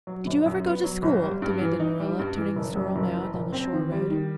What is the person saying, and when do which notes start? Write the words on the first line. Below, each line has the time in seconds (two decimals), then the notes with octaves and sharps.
"Did you ever go to school?" demanded Marilla, turning the sorrel mare down the shore road.
0.07 F#3
0.27 G1
0.46 F#2
0.66 B3
0.84 F#3
1.03 G1
1.23 G3
1.42 G2
1.61 E3
1.80 D#4
2.00 G3
2.19 G2
2.38 E3
2.56 F#1
2.76 F#2
2.96 F#1
3.15 E3
3.34 F#1
3.52 C4
3.73 D#3
3.92 G3
4.10 D#3